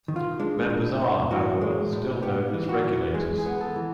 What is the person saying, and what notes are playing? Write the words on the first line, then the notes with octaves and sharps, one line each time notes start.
Members are, however, still known as "Regulators".
D#3
F4
G#3 D4
A2
A2
E3 F#4
G#3
A2
B3 G4
E3
F#4
E3
G#3 G#4
G#4
B3
A4
E3